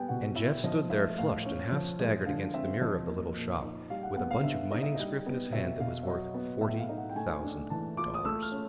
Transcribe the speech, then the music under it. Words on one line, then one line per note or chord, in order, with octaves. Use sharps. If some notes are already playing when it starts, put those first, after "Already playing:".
And Jeff stood there flushed and half-staggered against the mirror of the little shop, with a bunch of mining scrip in his hand that was worth forty thousand dollars!
Already playing: G3 B3 G5 G#5
B2 F#5
E4 E5
F3 D#5
A3 E5
A2 F5
C#4
F3
G#3
D3 F5
C4 E5
F3 D#5
A#3
A#2
D#4
G3 F5
F#5
B3 F#5
F5
D3 E5
D#4 D#5
E5
G3 D#5
B3
B2 E5
B2 F5
E5
F#3 D#5
B3
A2 E5
F5
D#4
F#5
G5
A3 G#5
D4
E3 A5
F4 D6
D#6
A3 E6
F6
C#4